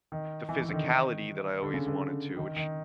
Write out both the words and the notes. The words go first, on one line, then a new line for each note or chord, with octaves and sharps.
the physicality that I always wanted to- which,
D#3
E3
E3
D3
D#3
D3
C#3
D3
D#3
D#3